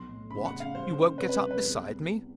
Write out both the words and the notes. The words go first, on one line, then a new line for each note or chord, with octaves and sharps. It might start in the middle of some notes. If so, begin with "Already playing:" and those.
"What--you won't get up beside me?"
Already playing: B1 C6
A2
C#3 B5
F#5
C#3
F5
G3 C5
C#3
C3 B4
B4
C2
B4
E2